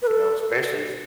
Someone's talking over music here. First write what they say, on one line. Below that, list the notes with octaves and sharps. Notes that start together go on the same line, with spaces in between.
You know, especially s
B4
A4